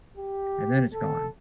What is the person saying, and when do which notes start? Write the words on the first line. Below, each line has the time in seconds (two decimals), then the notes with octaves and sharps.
and then it's gone,
0.17 G4
0.93 A4